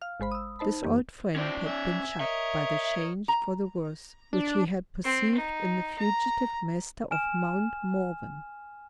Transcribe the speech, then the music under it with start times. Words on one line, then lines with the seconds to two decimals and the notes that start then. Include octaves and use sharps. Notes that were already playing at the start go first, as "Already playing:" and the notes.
This old friend had been shocked by the change for the worse which he had perceived in the fugitive master of Mount Morven.
0.02 F5 F6
0.20 G#1 G#3 C5 B5
0.32 D#6 E6
0.59 D#4 C5 A5 B5
0.84 F#2 E3 A#3 G4
1.36 F3 C4 C#4 E4 D5
1.66 E5 G#5
2.20 A#4 C#5 D#5 E5
3.28 A#5
4.33 D4
5.04 C4
5.35 D#4
5.98 A#5
7.11 G#5 F6 E7